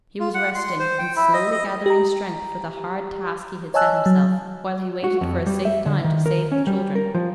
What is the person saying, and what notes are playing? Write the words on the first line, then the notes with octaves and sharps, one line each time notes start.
He was resting and slowly gathering strength for the hard task he had set himself, while he waited for a safe time to save the children.
F4
F#5
C6
C5
G5
E4
D#5
D#5
G4 A#5
C#5 D#5 G#5 A5 E6 F#6
F#3
F#4
F2
G3
E5
D3
D#3
A#4
C#4
G3
A#4
F3